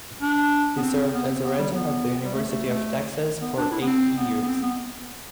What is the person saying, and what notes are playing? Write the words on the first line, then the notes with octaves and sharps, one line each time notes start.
He served as a regent of the University of Texas for eight years.
D4
B3
C4
B3
C4
B3
G3
B3
G3
A3
A3
A3
B3
D4
E4
B3
C4
B3
B3
C4
B3